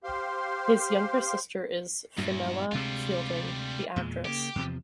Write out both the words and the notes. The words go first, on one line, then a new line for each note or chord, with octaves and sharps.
His younger sister is Fenella Fielding, the actress.
G4 C5 F5 C6
E2 G2 A#2 F#3
D2 C3 G3 G#3 F4
E2 A#2 G#3
C#3 A#3 G4
E2 C3 F3